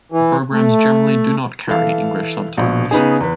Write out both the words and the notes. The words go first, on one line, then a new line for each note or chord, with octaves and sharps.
The programmes generally do not carry English subtitles.
E3
A3
E3 A4 F5
A#1 B2
C#3 B3 D#4 G#4
E2 B4